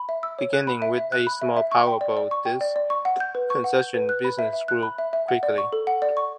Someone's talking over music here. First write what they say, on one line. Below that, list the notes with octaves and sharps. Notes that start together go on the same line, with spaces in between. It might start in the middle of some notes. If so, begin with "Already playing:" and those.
Beginning with a small powerboat, this concession business grew quickly.
Already playing: B5
E5
E6
C#5
F#6
B5
E5
E5
F#6
B5
E5
E5
C#6
G5
D5
D5
C#6
G5
D5
D5
C#6
F#5
G6
B4
C#6
F#5
G6
B4
F#6
B5
E5
E5
F#6
B5
E5
E5
F#5
D5
C#6
A4
F#5
D5
C#6